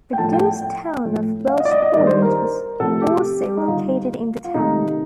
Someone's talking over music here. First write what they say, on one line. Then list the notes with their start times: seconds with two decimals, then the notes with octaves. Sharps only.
The ghost town of Welch Point was also located in the town.
0.13 G5
0.18 A2 F3 A3 A5
0.33 G5
0.47 G5
0.62 G5
1.05 A2 F3 A3
1.49 F5
1.60 D#5
1.65 D5
1.71 D#5
1.82 D#5
1.93 G2 D#3 G3 D5
2.07 C5
2.22 A#4
2.80 C3 F3 A3 A4
3.02 G4
3.57 D#4
3.68 G2 D3 G3 F4
4.44 F4
4.54 C3 D#3 A3 D#4